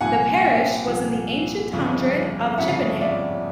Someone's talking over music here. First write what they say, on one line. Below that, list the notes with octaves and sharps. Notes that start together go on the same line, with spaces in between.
The parish was in the ancient hundred of Chippenham.
C2 A#2 F3 F#5 G#5
F5 G5
C2 A#2 F3
G1 F2 C#3 F3
G1 F2 C#3 F3 E5 F#5
D5 E5